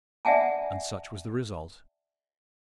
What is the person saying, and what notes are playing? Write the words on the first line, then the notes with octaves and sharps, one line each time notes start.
And such was the result.
D5 E5 F#5 G#5 A5